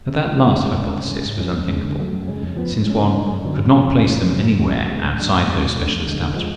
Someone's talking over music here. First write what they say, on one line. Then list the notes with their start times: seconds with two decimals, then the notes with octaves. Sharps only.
But that last hypothesis was unthinkable, since one could not place them anywhere outside those special establishments.
0.09 C#3
0.24 F3 G#3
0.38 D3
0.53 G#3 D4
0.67 G#2
0.82 G#3 D4
0.96 C#3
1.11 G#3 C#4
1.26 G#2
1.40 F3 G#3 C#4
1.55 F#2
1.70 C#3 G#3
1.84 D3
1.99 F#3 A3
2.13 F#2
2.28 C#3 G#3 C#4
2.42 F2
2.56 F3 B3
2.72 G#2
2.86 G#3 C#4
3.01 C#3
3.15 G#3 D4
3.30 F#2
3.45 D3 F#3 B3
3.59 F2
3.73 C#3 F3
3.88 F2
4.02 C#3 F3 G#3
4.17 F2
4.32 C#3 F#3
4.47 C#3
4.61 F#3 C#4
4.75 F#2
4.90 C#3 G#3 B3
5.04 A2
5.19 F#3 A3 D4
5.33 A2
5.48 G#3 C#4
5.63 B2
5.77 A3 D4
5.92 F2
6.07 D3 G#3
6.21 D3
6.36 F3 G#3